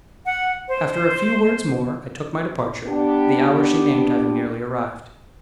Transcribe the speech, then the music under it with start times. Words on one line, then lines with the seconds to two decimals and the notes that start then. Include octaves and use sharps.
After a few words more, I took my departure, the hour she named having nearly arrived.
0.25 F#5
0.68 C5
2.85 B3 D4 G4